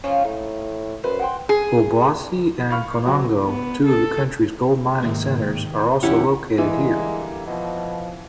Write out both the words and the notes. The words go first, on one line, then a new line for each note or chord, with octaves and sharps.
Obuasi and Konongo, two of the country's gold-mining centers, are also located here.
F3 A#3 C#4 F4
A2 D#4
F#2 B4 C5
F#5 G5 C6
G#4
F5 B5 C#6 F6
F#3 C4 F#4
B3
A4
G#2 C3 D#3 A#3
E2 D3 C#4 E4 G4 F#5
D3 E3 G3 G#3 A#3
B2 F3